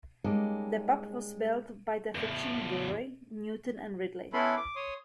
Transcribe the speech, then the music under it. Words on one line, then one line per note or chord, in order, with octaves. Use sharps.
The pub was built by the fictional brewery Newton and Ridley.
G3 G#3 A#3 C#4 D#4 A4
E2 A2
B3 C#4 E4 A4 B5 C6
D6
C#5 C6 D#6